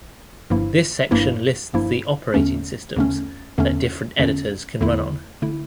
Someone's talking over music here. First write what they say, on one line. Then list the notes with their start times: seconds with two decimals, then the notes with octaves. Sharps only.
This section lists the operating systems that different editors can run on.
0.50 G1 G2 F3 A#3 E4
1.11 G1 G2 F3 A#3 E4
1.73 G1 G2 F3 A#3 E4
2.34 E2 D3 A3 C#4
2.96 E2 D3 A3 C#4
3.58 E2 D3 A3 C#4
4.19 E2 D3 A3 C#4
4.81 E2 D3 A3 E4
5.42 D3 A3 E4